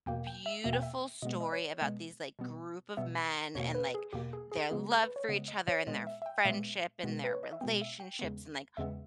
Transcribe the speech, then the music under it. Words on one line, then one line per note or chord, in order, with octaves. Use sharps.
beautiful story about these, like, group of men, and, like, their love for each other and their friendship and their relationships and, like,
E2 B2 A#3 G5
G5
E5
E2 B2 A#3 E5
G5
E5
B2 G#3 B3 D#5
D#5
C#5
B2 G#3 B3 D#5
B2 G3 B3
B2 G3 B3 E5
E2 B2 A#3 C#5
B4
G#4
E2 B2 A#3 G4
G#4
G#4
C#3 G#3 B3 G#4
B4
C#5
C#3 G#3 B3 D#5
D#5
C#5
A#2 G#3 B3 D#5
E5
E5
G5
A#2 G#3 B3 E5
B2 G#3 B3
B4
C#5
D#5
E5
B2 G#3 B3 G5
E5
G5
E2 C#3 G#3 B3
E2 C#3 G#3 B3 E5